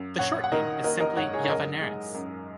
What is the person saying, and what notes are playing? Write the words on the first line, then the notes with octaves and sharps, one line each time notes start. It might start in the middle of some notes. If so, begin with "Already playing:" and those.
The short name is simply Llavaneres.
Already playing: F#2
A#1 C#5 F#5
F#5
D#3 A#4 D#5
A#3 A#4 D#5
A#4 D#5
G#2 C#5 F#5
G#4 C#5
C#5
F#2 A#4 D#5
G#3
F#2